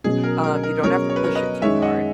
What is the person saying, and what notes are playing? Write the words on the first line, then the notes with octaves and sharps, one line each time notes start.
Um, you don't have to push it too hard.
B2 F#3 C#4 G#4
A#4
A#4
A#4
B2 F#3 C#4 A#4 C#5
C#5
B4
A#4 C#5
B4 D#5
F#2 D#3 G#3 C#5 E5
D#5 F#5